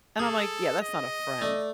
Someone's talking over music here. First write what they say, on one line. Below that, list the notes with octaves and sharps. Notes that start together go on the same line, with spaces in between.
And I'm, like, "Yeah, that's not a friend."
G#4 A4
D#5
A3 D5